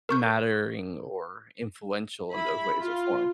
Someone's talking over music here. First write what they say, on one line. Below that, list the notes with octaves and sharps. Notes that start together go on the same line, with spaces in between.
mattering or influential in those ways or form.
A#4 C#6 G6
E4 B5
F4